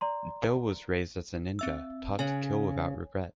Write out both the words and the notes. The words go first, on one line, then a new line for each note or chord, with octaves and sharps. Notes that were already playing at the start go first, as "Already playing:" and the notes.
Doe was raised as a ninja, taught to kill without regret.
D5 A#5 C6
C4 E5 E6
C#3 C#5 G#5